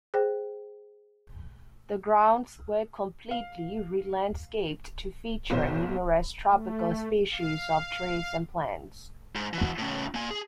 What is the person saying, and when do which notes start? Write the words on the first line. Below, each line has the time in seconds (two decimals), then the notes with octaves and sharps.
The grounds were completely re-landscaped to feature numerous tropical species of trees and plants.
0.14 G#4 C5 G5
3.31 F5
5.50 F#1 B1 B2 F#3 C5 G6
6.49 A3
7.32 F5
9.35 G#2
9.53 E3 F#4
9.78 A2 C#3
10.14 A#3 G#5
10.31 G#4